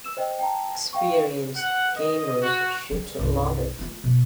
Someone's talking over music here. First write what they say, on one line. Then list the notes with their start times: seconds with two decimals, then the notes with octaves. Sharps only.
Experienced gamers should love it.
0.04 E6 E7
0.17 C5 D#5 G5
0.39 G5 A5 A#5
0.93 F5 G5 C#6
1.54 F#5
1.94 D#5
2.41 F#4
2.91 G3
3.18 C2 G2
3.79 A3 F4
4.04 B2